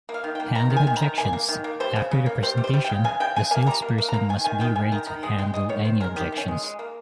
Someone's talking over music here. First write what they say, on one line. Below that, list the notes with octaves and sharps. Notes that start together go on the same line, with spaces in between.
Handling objections-After the presentation, the sales person must be ready to handle any objections.
A#3
F5
D#3
G5
A#3
D#3 A#5
D#3
G#5
D#3
A#5
D#3
A#3 G#5
A#3
D#3
A#3
G3 C5
C#3
C#3
A#3
G3 C5
G3
C5
G3
G5
C#3
C#3 G#5
C#3 G5
C#3 G#5
A#3 G#5
G3 A#5
A#3
A#3
A#5
A#3
D#3 G#5
D#3 G#5
D#3 G5
D#3 G#5
D#3 A#5
D#3 A#5
G#3 D#5
G#3 G5
G#3 D#5
D#3 C#5
D#3 C5
G#3 A#4
D#3 G4
D#3
C#4
G#3
G#3
A#3